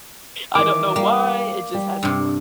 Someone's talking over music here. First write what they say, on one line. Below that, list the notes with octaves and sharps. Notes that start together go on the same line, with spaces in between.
I don't know why, it just hasn't worked.
D#3 E3 D6
G3 A#3
G3
G2 C3